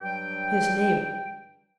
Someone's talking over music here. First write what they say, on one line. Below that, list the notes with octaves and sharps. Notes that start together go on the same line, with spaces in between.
His name?
G2 F#3 G3 D4 G5